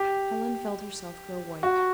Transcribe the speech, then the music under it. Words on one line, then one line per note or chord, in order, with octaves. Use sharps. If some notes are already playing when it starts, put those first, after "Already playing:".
Helen felt herself grow white.
Already playing: G4
F#4